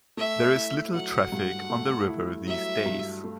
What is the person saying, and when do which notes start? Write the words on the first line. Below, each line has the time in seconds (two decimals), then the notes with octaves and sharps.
There is little traffic on the river these days.
0.17 A3 E5
0.55 E4
0.94 F#3 F#5
1.32 G2
1.70 A3
2.08 E4
2.47 F#3 E5
2.86 G2
3.24 A3